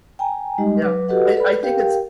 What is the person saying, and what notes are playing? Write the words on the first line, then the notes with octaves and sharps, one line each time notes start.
Yeah, I I think it's
G5 G#5 A#5
G3 G#3 D#4 G4 D#5
F#3 B4 D6
F#4 G4 A4 B4 D#5 F#5
A4 B4 D5 B5
G4 A#4 F5 G5